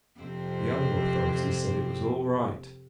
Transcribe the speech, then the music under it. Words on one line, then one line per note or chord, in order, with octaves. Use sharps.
The other authorities said it was "all right!"
F2 C3 C4